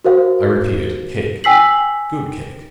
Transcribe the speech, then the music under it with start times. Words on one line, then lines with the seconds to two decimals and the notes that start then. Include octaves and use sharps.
I repeat it, cake--good cake.
0.05 F#4 A#4 C5 F5
1.44 G5 G#5 E6 B6 C7 F#7